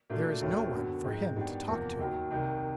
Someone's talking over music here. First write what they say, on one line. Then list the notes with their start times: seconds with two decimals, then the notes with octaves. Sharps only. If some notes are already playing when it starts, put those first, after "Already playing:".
"There is no one for him to talk to."
0.10 A#2 F#3 A3 D4
0.41 D#2 D3 F#3 A3 C#4
0.72 F#2 D3 F#3 B3
1.04 G#2 F3 G#3 C4 D#4
1.36 F#2 D#3 G3 B3 D4
1.67 E2 C3 F3 A#3
1.99 D#2 D#3 F#3
2.31 C2 C3 D#3